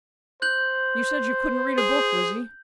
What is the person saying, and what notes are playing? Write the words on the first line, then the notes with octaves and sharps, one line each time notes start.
'You said you couldn't read a book, Lizzie.
C5 F#6 G6 F#7
G#4